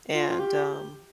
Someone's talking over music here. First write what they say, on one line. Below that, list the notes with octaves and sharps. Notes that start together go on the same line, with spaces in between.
and, um,
F4
F4
G4